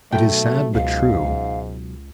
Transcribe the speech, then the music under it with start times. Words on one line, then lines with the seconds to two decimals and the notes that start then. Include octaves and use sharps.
It is sad but true.
0.12 B1 A3 G5
0.75 C#2 G#2 F5